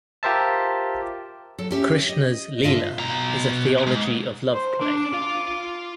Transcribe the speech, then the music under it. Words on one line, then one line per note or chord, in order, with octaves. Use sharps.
Krishna's "lila" is a theology of love-play.
F4 G4 A#4 C5 E5 A5
F#3 A4
C#4 G4 E5
D#5
G#2 D3 F4 D#5 E5
B2 A#5
G#2
C5
D4 D6
F4 F5